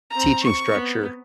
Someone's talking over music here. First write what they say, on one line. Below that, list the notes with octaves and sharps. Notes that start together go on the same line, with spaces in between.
teaching structure.
C4 A#5
C#6
B3